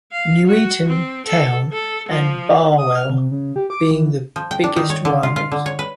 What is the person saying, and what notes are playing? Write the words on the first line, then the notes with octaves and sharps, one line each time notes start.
Nuneaton Town and Barwell being the biggest rivals.
F5
F#4
C4
A4
A4
F3
D#6
F6
C3
C#3
G4
D6
E3
F3
G5
D4
D#3
C#5
D3
F4
F4
D3
C#5
B4